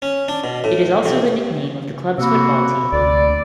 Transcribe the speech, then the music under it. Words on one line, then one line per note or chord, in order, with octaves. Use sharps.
It is also the nickname of the club's football team.
C#4
D4
B2
A2
C3
C3 A#3 F#4 B5 E6
D2 D5